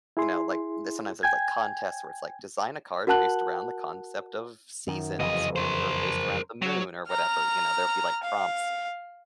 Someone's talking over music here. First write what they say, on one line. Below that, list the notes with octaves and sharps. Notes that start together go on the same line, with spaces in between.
you know like, this one has those, like, contests where it's, like, "Design a card based around the concept of seasons," or or "based around the moon," or whatever, you know, there'll be like prompts,
E4 G#4 C6
G5 G#5 G#6
F#4 A#4 F#5 A5 F#6 F#7
F#2 D#3
F#1 C2 F2 E3 D#5
A#4 C5
F#3
A#5 F6
F5